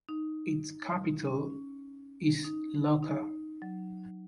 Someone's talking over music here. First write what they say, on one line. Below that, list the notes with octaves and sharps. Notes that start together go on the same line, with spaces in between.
Its capital is Luarca.
D#4
C#4
D#4
D#4
F#3